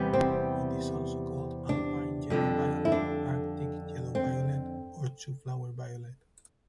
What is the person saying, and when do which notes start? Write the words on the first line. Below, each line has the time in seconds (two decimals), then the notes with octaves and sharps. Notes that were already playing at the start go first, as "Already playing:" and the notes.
It is also called alpine yellow-violet, arctic yellow violet, or twoflower violet.
Already playing: E2 C3 G3 B3
0.13 C4
1.69 D4
2.30 F2 D3 G3
2.85 E4
2.92 D4
4.15 C4